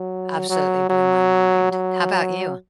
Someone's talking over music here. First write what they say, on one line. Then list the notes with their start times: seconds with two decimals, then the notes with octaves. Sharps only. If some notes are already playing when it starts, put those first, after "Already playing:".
absolutely blew my mind, how about you?
Already playing: F#3
0.49 F#3
0.90 F#3
1.71 F#3